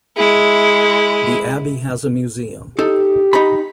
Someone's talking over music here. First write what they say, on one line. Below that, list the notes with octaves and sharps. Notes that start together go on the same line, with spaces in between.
The Abbey has a museum.
G#3 E4
D#4 G4 A4
D#4 A#5 B5